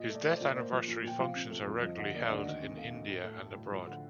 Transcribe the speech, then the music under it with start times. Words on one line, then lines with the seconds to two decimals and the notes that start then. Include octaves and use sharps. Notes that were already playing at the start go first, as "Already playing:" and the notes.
His death anniversary functions are regularly held in India and abroad.
Already playing: A#2 D#5
0.09 A3
0.15 D5
0.25 A3
0.32 C5
0.35 D5
0.41 A#2
0.48 D5
0.56 A#3 C5
0.72 F3
0.88 A#2
1.04 A#2 G5
1.19 F3 F5
1.35 C3
1.51 A3
1.67 F2
1.82 F3 D#5
1.98 D3 D#5
2.14 A#3 D5
2.23 D#5
2.30 D2 D5
2.46 D#3 D#5
2.62 C3
2.77 A3 F5
2.92 D2
3.08 A2
3.24 A3
3.40 A3
3.55 A2
3.72 F3
3.87 D3